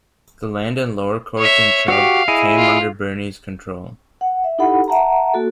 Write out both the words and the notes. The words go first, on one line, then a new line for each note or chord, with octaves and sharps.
The land and lower courts in Trub came under Bernese control.
C#5 E5
F#4 G4 F5
E4 G#4 D#5
F4
F#5
E5
D#4 E4 G4 A4 F#5 B5
E5 F#5 A5 A#5
A#3 F#4 A4